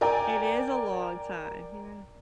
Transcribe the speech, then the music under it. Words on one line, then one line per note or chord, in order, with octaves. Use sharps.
It is a long time, yeah.
A#4 D5 G5 G#5 A#5